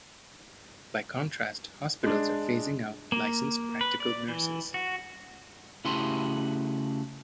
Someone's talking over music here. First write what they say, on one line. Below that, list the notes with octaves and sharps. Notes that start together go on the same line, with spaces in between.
By contrast hospitals are phasing out licensed practical nurses.
G#3 D4
A#3
B4
D5
E3
F#4
C#3 A3 E4 F#4 G4 C6